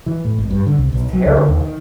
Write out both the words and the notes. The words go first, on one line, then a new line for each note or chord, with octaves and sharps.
it's terrible.
E3
A2
G#1
G2
D3
C2
B1
F#3
C#2
D3
D#2
D#3